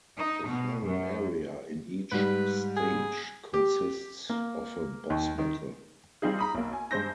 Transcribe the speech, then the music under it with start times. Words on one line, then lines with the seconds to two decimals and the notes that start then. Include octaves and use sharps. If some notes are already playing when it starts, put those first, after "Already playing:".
The final area in each stage consists of a boss battle.
0.17 D#4
0.49 B2
0.84 F#2
2.12 G#2 G3 B4
2.77 G#4
3.54 G4
4.29 A#3
5.10 D#2
5.38 D#3
6.22 G3 C4 D#4 F4 G#4
6.39 A#5 B5 D#6
6.55 B1 A#3
6.73 G#5
6.91 G2 G#3 C5 G6 A#6